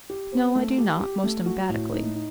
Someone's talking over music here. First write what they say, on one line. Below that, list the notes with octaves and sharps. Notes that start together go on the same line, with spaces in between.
No, I do not, most emphatically.
G4
C4
A3
G4
G4
A3
F#4
A2
D#4
D#4